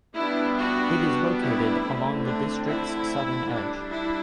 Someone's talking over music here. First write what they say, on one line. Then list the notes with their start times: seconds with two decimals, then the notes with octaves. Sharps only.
It is located along the district's southern edge.
0.16 G3 B3 D4 E4
0.58 F#4
1.41 E4
1.83 D3 A3 C4
2.25 D4
2.66 E4
3.50 G3 D4
3.91 E4